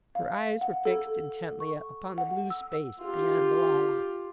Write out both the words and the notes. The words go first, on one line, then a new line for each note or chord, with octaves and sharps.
Her eyes were fixed intently upon the blue space beyond the lilac.
F5
F#5
A4
C#6
F#5
E6
F4 G4